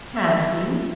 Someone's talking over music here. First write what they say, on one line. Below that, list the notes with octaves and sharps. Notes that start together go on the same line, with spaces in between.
Had he?
E5